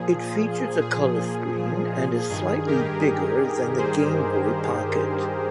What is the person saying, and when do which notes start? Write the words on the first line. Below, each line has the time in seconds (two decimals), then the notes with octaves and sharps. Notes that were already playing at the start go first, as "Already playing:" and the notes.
It features a color screen, and is slightly bigger than the Game Boy Pocket.
Already playing: A#2 F3 G#4
0.81 G#4
2.30 G2 D#3 G#4
2.67 G4 A#4
3.78 G#4 C5